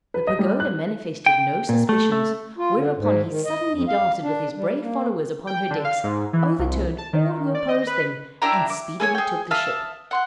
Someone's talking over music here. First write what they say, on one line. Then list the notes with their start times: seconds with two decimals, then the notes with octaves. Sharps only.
The Pagoda manifested no suspicions, whereupon he suddenly darted with his brave followers upon her decks, overturned all who opposed them, and speedily took the ship.
0.14 B4
0.27 D#5
0.39 G3
0.60 F#6
1.26 G5
1.69 A#2
1.89 A3
2.12 A3
2.58 F4
2.77 D3
2.97 G#2
3.29 D#3
3.45 D#5
3.73 F2
3.88 F5
4.23 D4
4.56 G3
4.82 A#3
5.47 G5
5.70 D3
5.84 F5
6.04 G#2
6.33 E3
6.59 C2
6.98 A5
7.13 D#3
7.55 D5
7.69 D#5
7.87 B4
8.42 D4 E4 G4 A#5
8.70 D6
9.00 G#4 A4 C#5 G#5
9.15 G#4 G5
9.51 E5 F5 A5 D#6
10.11 F#5 C6 F#6